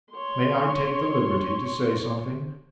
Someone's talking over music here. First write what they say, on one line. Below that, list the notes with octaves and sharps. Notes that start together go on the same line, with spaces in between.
'May I take the liberty to say something?'
C#5 C6